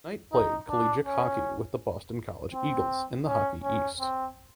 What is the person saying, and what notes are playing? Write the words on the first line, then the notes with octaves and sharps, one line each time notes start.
Knight played collegiate hockey with the Boston College Eagles in the Hockey East.
D#4
D4
C#4
C4
C#4
C#4
C4